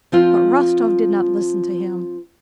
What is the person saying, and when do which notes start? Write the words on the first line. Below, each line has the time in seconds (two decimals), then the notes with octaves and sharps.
But Rostov did not listen to him.
0.12 F3 C4 F4